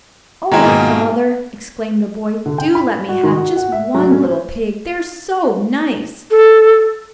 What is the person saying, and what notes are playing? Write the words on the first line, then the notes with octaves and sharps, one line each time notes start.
"Oh, Father!" exclaimed the boy, "do let me have just one little pig. They are so nice!"
D#3 G#3 A#3 E4 C5
G#2 B2 A#3
F4
D3
G5
B5
F#4
D#3
F#4
F#5
E5
F#3
C#4
C5
A4